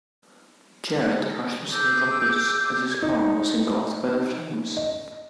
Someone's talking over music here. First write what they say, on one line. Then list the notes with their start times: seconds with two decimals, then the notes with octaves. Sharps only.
Jarrett rushed to save Roberts as his car was engulfed by the flames.
1.71 G#4 D6 E6 G6
3.02 D#4
4.77 D#5